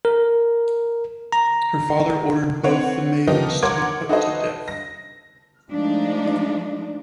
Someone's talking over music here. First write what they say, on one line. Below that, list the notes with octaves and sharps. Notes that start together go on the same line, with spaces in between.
Her father ordered both the maidens to be put to death.
A#4
A#5
C4 B4 C#5 F#5
D#3 F3 B3 D#4 G4 A#4
A#4 C#5 F#5 C6 D6 G#6
D#4 F#4 A4 B4 C5 D#5
A#6
F3 G#3 A3 D4 D#4